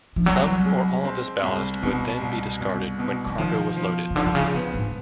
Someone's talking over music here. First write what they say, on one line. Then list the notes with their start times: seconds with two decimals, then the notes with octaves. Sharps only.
Some or all of this ballast would then be discarded when cargo was loaded.
0.16 F3
0.26 C2 F#3
0.65 G#3
1.05 C4
1.43 C2
1.82 B2 G3
2.22 C2
2.61 C2
2.99 B2
3.26 E3
3.38 D#3 F3
3.76 F3
4.11 C#3
4.15 D3 F3
4.26 C3
4.35 C#3
4.54 C3 B3
4.74 G#2